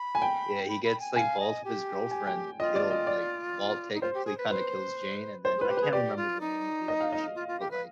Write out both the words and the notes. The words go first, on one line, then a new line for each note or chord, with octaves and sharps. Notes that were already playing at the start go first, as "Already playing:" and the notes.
Yeah. He gets, like, both of his girlfriend killed. Like, Walt technically kinda kills Jane, and then I can't remember the name of the other chick. But, like,
Already playing: B5
G#5
G5
B5
B5
G#5
F5 G#5
D#5
G4
G#5
G5
F4 D#5
D5
D#5
D5
D#4
F4 C5
G4
G#4
B4
B4 C5
C5
G#4
F4 B4
G4
G#4 B4
G4 D5
F4
D#4
D#5
F5
D#5
F4
F4
G4
B4